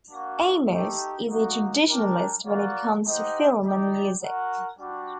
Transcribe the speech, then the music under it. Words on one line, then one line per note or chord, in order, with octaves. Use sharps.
Amos is a traditionalist when it comes to film and music.
A#3 D4 F#4
A3 D#4 G4
A#3 D#4 F#4
D4 G4 A#4
A#3 F#4 A#4 D5 F#5
D#4 G4 C5 D#5 F#5
D#4 G4 D5
F#4 A#4 F#5
G3 D4 F#4